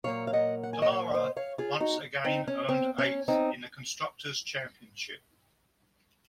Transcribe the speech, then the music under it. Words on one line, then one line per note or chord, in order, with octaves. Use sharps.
Dallara once again earned eighth in the Constructors' Championship.
A#2 F#3 A#3 C#5 F5
F5
D#5 F#5
F#5
G#5
D#5 F#5
C#5 F5
C5 D#5
C#5 F5
F4 G#4
D#4 F#4
C4 D#4
C#4
C4
C#4
C4 D#4